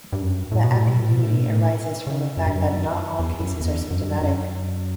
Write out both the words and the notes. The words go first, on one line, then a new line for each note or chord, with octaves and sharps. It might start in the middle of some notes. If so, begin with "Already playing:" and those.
The ambiguity arises from the fact that not all cases are symptomatic.
G2
F#2
A2
B2
A2
B2
A2
B2
A2
B2
A2
C#3
F#2
G2
F#2
E2
F#2
E2
F#2
G2
F#2
F#2